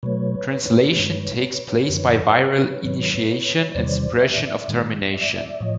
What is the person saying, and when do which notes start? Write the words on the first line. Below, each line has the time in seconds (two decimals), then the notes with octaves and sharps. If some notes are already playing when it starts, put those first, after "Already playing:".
Translation takes place by viral initiation, and suppression of termination.
0.03 B2 F#3 A3 B4 C#5
0.96 G2 D#3 G#3
1.89 F#2 D3 F3
2.82 G#2 D#3 F#3
3.75 E2 C3 D#3 G3 C5 D5
4.21 D5 E5
4.68 G#2 D#3 G#3
5.14 D5 E5
5.60 A2 F3 C#5 D#5